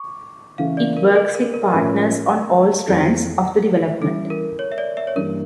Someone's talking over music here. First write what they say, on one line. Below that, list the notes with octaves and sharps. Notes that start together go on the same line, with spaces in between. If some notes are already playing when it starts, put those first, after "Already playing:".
It works with partners on all strands of the development.
Already playing: C#6 D6
C#3 E3 A3 F5
D5
A#4
A4
A#4
A#4
A2 F3 C#4 A#4
F2 E3 A3 E4
E3 G3 C#4 E4 A4
A#4
C#5
E5
D5
E5
C#5
G2 E3 A#3 A#4